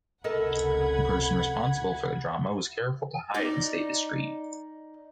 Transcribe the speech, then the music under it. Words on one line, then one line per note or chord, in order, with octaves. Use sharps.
The person responsible for the drama was careful to hide and stay discreet.
F1 C#2 A4 A#4 D#5 F#5 B5 G#6
D#4 D5